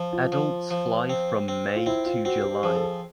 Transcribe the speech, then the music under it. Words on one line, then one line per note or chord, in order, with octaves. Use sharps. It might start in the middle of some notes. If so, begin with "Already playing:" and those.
Adults fly from May to July.
Already playing: F3
F4
F3
F3
C4
C4
F4
C4 E4
F4
C4 F#4
G4
F3 G#4
A4
G#4